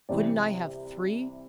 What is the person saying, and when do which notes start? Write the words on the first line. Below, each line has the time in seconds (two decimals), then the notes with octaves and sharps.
Couldn't I have three?
0.09 C2 C3 E3 D5